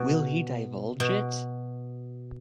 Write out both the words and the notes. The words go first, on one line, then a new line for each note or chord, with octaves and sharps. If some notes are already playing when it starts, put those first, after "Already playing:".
Will he divulge it?
Already playing: B2
B2